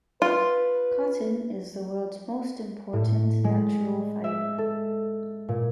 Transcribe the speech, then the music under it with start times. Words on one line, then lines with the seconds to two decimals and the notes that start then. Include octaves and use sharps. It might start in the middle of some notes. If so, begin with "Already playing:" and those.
Cotton is the world's most important natural fibre.
0.22 F4 B4
2.93 A2
3.44 G#3
4.24 E5
4.58 A4
5.49 A#2